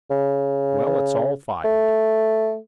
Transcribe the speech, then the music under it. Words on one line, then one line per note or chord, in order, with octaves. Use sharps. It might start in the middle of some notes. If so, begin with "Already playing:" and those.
"Well, it's all filed."
C#3
A3